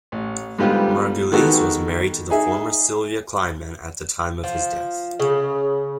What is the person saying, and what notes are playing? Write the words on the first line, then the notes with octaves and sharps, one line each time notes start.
Margulies was married to the former Cylvia Kleinman at the time of his death.
A1
G#2 D3 G3 B3 F4 G4
D#3 G#3 B3 F#4 G4 A4
D#4 G#4 E5
F3
C#3